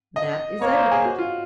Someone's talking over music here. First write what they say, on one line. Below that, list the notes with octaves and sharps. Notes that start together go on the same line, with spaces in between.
That is evident.
D#5
A#3 C#5
C5
G#4
F#4
F4